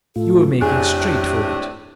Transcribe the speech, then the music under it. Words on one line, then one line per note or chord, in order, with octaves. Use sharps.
You were making straight for it.
A2 A3 F4 A4
F2 A2 C3 D4 G4 G#4 F#6